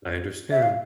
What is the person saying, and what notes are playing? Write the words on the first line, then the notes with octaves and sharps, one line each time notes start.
I understand.
E5
F5